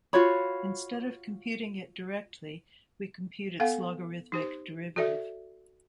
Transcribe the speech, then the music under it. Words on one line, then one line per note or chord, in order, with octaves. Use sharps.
Instead of computing it directly, we compute its logarithmic derivative.
F4 F#4 C#5 B5
B3 A4 F5 F#5
D#4 G4 C5
F#4 A4 D5 E5